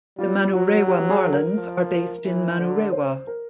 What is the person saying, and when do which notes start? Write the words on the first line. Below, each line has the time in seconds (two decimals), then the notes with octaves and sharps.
The Manurewa Marlins are based in Manurewa.
0.18 G3 F4
0.53 F#3 F#4
0.87 G4
1.10 G#4
1.33 A#4
1.56 F3
2.25 E3
2.58 D3
2.92 C5
3.27 A#4